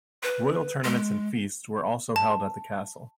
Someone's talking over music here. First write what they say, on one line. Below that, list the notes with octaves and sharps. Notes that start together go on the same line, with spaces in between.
Royal tournaments and feasts were also held at the castle.
B4
G#3
A5